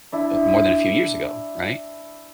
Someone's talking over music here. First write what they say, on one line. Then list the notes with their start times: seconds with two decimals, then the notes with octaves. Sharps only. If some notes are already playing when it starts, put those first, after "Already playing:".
more than a few years ago, right,
0.12 D4 E4